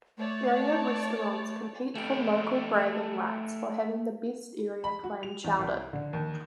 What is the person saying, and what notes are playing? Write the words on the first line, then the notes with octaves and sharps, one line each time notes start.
Area restaurants compete for local bragging rights for having the best area clam chowder.
A3 C#5 D5 A5
A3 G4
B5
F#4
F7
E2
C2
D3
D#2